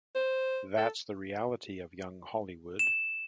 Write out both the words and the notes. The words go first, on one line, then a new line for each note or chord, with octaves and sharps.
That's the reality of young Hollywood.
C5
A4
E7